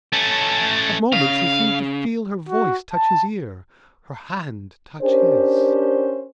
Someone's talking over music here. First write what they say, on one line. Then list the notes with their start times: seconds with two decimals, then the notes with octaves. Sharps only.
At moments he seemed to feel her voice touch his ear, her hand touch his.
0.13 A3 C#4 A5
1.13 C#3 F5
2.49 F#4
2.93 A5
5.02 C#4 D4 G4 A#4 C5